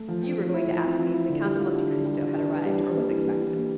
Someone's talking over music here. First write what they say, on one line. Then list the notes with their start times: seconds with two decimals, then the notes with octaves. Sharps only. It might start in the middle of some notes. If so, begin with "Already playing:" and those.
"You were going to ask me if the Count of Monte Cristo had arrived, or was expected."
Already playing: A3
0.08 F3
0.23 C4
0.39 F3
0.54 E4
0.68 F3
0.84 C4
0.99 F3
1.14 E4
1.29 D3
1.45 G3
1.59 F4
1.75 D4
1.90 D3
2.05 G3
2.20 F4
2.35 D4
2.50 E3
2.65 G3
2.81 E3
2.96 A#3
3.11 E3
3.26 G3
3.41 E3
3.57 A#3